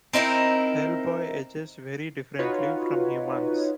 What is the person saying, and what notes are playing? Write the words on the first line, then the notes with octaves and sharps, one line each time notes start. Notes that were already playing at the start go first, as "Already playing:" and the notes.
Hellboy ages very differently from humans.
C4 D#4 E4 A#4
D#4 F4 F#4 B4 C#5